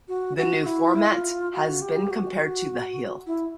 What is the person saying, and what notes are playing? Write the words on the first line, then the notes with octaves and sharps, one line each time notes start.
The new format has been compared to "The Hill".
F#4
F#4
E4
F4
F#4
G4
F#4
E4